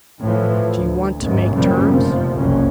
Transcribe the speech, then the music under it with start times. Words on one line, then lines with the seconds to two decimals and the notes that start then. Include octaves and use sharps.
"Do you want to make terms?"
0.21 A2 E3 F3
0.77 D2
1.20 A1 D#2 G#2
1.54 F#2 A#2 C#3 E3 F3 G3
1.90 F1 C3 F3
2.35 F#1 C2 F2 C#3 C#4